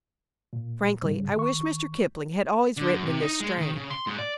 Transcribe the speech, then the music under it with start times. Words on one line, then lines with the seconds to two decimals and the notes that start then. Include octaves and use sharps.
Frankly, I wish Mr. Kipling had always written in this strain.
0.53 A#2
1.02 G#2 C#3 G3
1.35 D#3 C#6
2.77 D3
2.92 F#2
3.06 C3
3.21 D#4
3.40 G#3
3.58 D#3
3.75 C#3
3.90 C6
4.07 G#2
4.18 D5